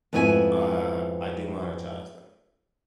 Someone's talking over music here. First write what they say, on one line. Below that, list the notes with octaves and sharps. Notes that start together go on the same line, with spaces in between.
uh, I do monetize them.
F2 G#2 B3 E4 F4 G#5